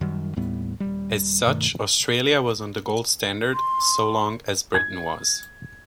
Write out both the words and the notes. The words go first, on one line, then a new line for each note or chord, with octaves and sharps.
As such Australia was on the gold standard so long as Britain was.
F#2 D#3 G3
D#2 A2 G3 B3
D#1 G3
G2 B2 D#3 A3
C6
G#6